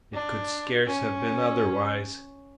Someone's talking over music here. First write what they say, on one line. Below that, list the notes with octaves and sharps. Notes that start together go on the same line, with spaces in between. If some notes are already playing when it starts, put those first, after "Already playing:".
It could scarce have been otherwise.
D4
C#4